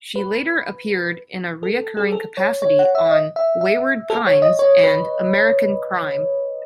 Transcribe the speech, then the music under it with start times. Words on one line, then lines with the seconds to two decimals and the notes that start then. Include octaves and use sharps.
She later appeared in a reoccurring capacity on "Wayward Pines" and "American Crime".
0.16 B4
1.63 A4
1.97 G#4
2.12 A4
2.37 C#5
2.62 C#5
2.79 F#5
2.95 E5
3.11 D#5
3.36 E5
3.61 E5
4.10 A4
4.27 C#5
4.42 D#5
4.59 C#5
4.84 B4